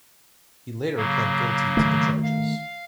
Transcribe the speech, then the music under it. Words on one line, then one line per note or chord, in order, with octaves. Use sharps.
He later plead guilty to the charges.
C#3 F#3 A#3
D#3 A3
F5